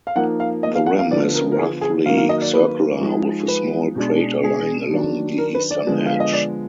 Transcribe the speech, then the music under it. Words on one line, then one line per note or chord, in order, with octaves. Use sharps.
The rim is roughly circular, with a small crater lying along the eastern edge.
F5
F3 A#3 D#4 F#5
F5
D#5
F5
F#5
F5
D3 F3 B3 D5
A#4
A#4
G#4
G#4
D#3 F#3 A#3 F5
F5
D#5
D5
B4
F3 G#3 D#4
B4
B2 G#3 D4
G#4
D#3 F#3 D4
A#4
B4
D5
D3 F3 G#3 B3
F5
D#5
D5